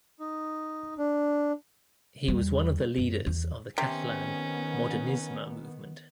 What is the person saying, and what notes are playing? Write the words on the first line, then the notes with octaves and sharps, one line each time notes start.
He was one of the leaders of the Catalan "modernisme" movement.
D#4
D4
E2 G3
F#2
E2
C3 D#3 B3 C#4